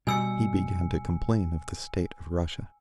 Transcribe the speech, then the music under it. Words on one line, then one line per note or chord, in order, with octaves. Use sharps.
He began to complain of the state of Russia.
B2 G3 G#5 E6 C#7